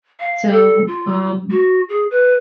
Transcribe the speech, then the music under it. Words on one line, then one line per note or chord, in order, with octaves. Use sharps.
So, um
F5
A4
F4
F#4
G#4
B4